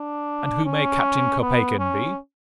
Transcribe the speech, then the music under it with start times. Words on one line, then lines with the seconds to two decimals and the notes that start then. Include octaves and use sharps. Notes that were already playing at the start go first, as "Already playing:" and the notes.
"And who may Captain Kopeikin be?"
Already playing: D4
0.65 C#4
1.41 B3
1.79 C#4